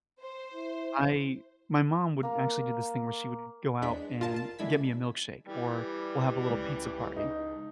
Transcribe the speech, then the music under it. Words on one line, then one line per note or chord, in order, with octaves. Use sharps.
I my mom would actually do this thing where she would go out and get me a milkshake, or we'll have a little pizza party.
C5
E4
A#3 A#4
E2 G#3 D4 B6
G1 F4 A#4 A5
F4 A5
D3 G#3 E4 G#6 B6
E3 G3
C#2 G#3
D#4